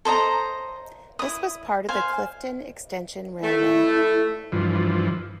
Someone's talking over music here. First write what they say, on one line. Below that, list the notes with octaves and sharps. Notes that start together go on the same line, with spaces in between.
This was part of the Clifton Extension Railway.
A4 C5 D#5 A#5
E4 D#6
C5 F5 G#5
A3 E4
G2 E3 F3